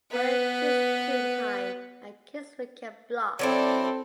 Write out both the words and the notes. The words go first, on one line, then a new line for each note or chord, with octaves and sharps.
Under "Kidz Toon Time" and "Kidz Weekend" block.
B3 B4
F#3 C4 D4 E4 A4